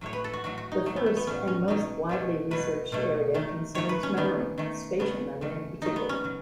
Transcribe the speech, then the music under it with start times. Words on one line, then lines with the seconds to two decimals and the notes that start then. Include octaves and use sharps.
The first and most widely researched area concerns memory, spatial memory in particular.
0.01 A2 F#3 A3 C#5
0.13 B4
0.24 A4
0.33 F#4
0.44 A2 F#3 A3 F#4
0.58 F#4
0.72 D#4
0.86 A2 F#3 A3
0.96 B3
1.06 A3
1.17 B3
1.27 A2 F#3 A3 C#4
1.47 C#4
1.68 B2 F#3 A3 D#4
2.09 B2 F#3 A3
2.51 B2 F#3 A3 B4
2.92 B2 F#3 A3
3.34 D#3 A3
3.75 D#3 A3 C#5
3.89 B4
4.03 C#4
4.17 D#3 A3 B3
4.58 D#3 A3
4.99 C#3 F#3 A3 B3
5.41 C#3 F#3 A3
5.82 C#3 F#3 A3 D#4
5.96 B3
6.09 C#4
6.24 C#3 F#3